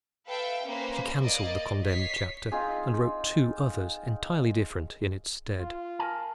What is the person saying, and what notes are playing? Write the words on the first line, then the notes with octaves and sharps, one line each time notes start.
She cancelled the condemned chapter, and wrote two others, entirely different, in its stead.
A4 B4 E5 F5 G5
A#3 C#4 B4 C5
A#3 D5 D#5
C#5 D#5 B6 C7
C4 D#4 F4 G#4
F4
A#4 G#5 A5